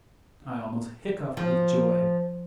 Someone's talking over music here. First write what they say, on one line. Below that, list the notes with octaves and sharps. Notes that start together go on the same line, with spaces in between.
I almost hiccoughed with joy.
F3